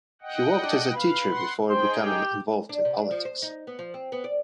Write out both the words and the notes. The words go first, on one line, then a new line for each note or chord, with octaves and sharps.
He worked as a teacher before becoming involved in politics.
D#5 F#5 G5
D4
B4 F5
F#5 C6
D#4 G#4 C5 G5
G4
D4
C3
D4
F3
C5
D#4
B3
F3
C4
B3
D5